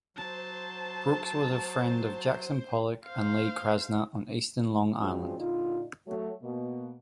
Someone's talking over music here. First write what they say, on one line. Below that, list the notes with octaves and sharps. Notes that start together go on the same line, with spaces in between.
Brooks was a friend of Jackson Pollock and Lee Krasner on Eastern Long Island.
F#3 C5 A5
C5 F5
G2 F3 G#3 C4 C#4 F#4
A#2 D3 D#4 F4
F#3 A3 F#4
B2 A#3